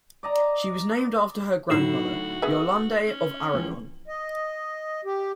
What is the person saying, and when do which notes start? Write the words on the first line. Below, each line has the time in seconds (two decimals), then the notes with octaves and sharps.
She was named after her grandmother, Yolande of Aragon.
0.23 D5 D#5 A#5
1.70 A2 D3 F#3 D#4 F#4 C7 E7
2.42 B3 G#4 E5 E6
3.07 C#4
3.54 C#2 E3 F3
4.07 D#5
5.05 G4